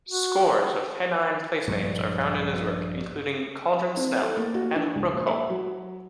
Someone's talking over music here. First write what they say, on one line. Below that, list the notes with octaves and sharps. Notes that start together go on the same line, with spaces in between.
Scores of Pennine place-names are found in his work, including Cauldron Snout and Rookhope.
F#4
A#1 G2 G3 G#3
C4
A4
A#3
F#4
D4
C#2
A#1
E5
F#3